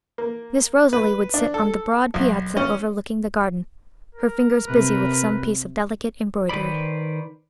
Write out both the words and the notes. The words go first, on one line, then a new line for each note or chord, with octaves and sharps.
Miss Rosalie would sit on the broad piazza overlooking the garden, her fingers busy with some piece of delicate embroidery.
A#3
B4
D4
A4
B1
C#4
A#4
C3 B4
D#3 B4 C5 D5 B5